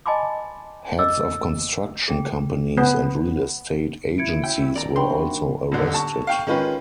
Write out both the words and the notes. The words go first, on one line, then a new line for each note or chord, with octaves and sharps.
Heads of construction companies and real estate agencies were also arrested.
D#5 G#5 A5 B5 C6 D6
D#5 D6 E6
G#4 G5
B3
E4 G#6 C#7 D7
C#4 F#4 E5 G5
D#3 A#3 D5 A#5
C3 F#3 D4 F#4 G5 B5 C6
D#1 D3
A5 C#6
F5 G5 C#6
D#3 G#3 C#4 F4 B4